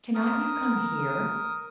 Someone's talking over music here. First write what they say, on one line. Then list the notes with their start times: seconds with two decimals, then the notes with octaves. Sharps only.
Cannot you come here?
0.15 A#4 D#6